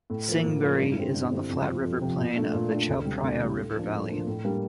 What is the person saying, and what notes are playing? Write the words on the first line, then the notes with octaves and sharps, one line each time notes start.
Sing Buri is on the flat river plain of the Chao Phraya River valley.
A2
F3 A#3
A2
F3 A#3
G2
D3 G3 C4 E4
G2
D3 G3 C4 E4
F2
C3 F3
F2
C3 F3
A#2
A3 D4
A#2
A3 D4
D2
C3 G3
D2
C3 G3
A2
F3 A#3 D4
A2
F3 A#3 D4
A2
G3 A#3 D4